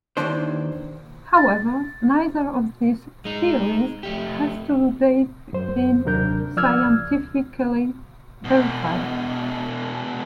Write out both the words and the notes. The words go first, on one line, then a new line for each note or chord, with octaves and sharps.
However, neither of these theories has to date been scientifically verified.
D#2 G#2 D#3 E3 D4 C5
A6
G#3 D#4
F2 A3 G4
F#2 C5
D#2 C3 F#3 D4 A#4 G6
F3 D5 E6 F6 G#6
C#2
E2 B2